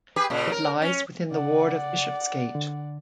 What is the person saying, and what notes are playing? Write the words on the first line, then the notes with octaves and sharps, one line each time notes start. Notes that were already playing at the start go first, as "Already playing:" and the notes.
It lies within the ward of Bishopsgate.
G4 G#4 B4
A#2 C#3
A#4
C#4
C#3 D5 F#5
D3